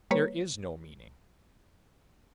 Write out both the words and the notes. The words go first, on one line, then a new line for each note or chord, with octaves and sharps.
There is no meaning.
G3 A#3 B4 C#5